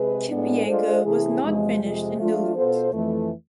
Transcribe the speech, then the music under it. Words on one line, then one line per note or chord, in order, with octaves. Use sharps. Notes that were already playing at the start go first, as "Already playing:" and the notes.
Kipyego was not finished in Duluth.
Already playing: C3 G#3 G#4 B4
A2 G#3 B3 D4
G#3 D4 F4 A4 C5
C3 E3 A3 E4 G#4
E2 C3 F3 G#3
F2 C3 F3 G#3
F3 A3 D4 F4
B2 B3 F4 A4 C5
F2 E3 A3